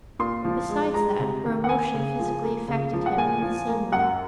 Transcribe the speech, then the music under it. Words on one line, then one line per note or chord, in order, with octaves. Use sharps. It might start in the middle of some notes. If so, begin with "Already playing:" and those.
But, besides that, her emotion physically affected him in the same way.
A#2 C6
F3
G#3
G#3 A#5
C3
D#3
F#5
A#3 G#5
C#3
F3
A#3
C#3
F3
F#5
A#2 G#5
F3
A#3
F#2 F#5